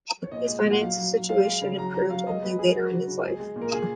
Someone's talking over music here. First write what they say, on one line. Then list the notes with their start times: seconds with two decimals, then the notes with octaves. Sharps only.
His financial situation improved only later in his life.
0.24 C#5
0.32 A#2 D#5
0.48 G#3
0.64 A#2
0.71 F#5
0.80 F#3 F5
0.97 F#3
1.13 F#3
1.29 G#3 F5
1.46 G#3
1.62 C#3
1.78 F#3 A#5
1.94 F#3 A#5
2.10 F#3 F5
2.26 G#3 D#5
2.43 G#3 B4
2.59 G#3 G#4
2.75 F#3 F#4
2.91 C#3
3.08 C#3
3.24 G#3 G#4
3.40 G#3
3.56 A#2
3.61 A#4
3.72 C#3 G#4